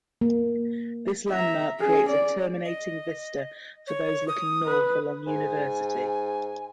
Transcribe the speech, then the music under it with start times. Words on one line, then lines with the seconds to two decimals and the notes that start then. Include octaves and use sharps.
This landmark creates a terminating vista for those looking north along University.
0.21 A#3
1.29 E5 A#5
1.80 C#4 G#4
2.09 D5
2.65 D#5
3.87 C#5
4.28 D#6
4.66 B4
5.27 G#2 G#5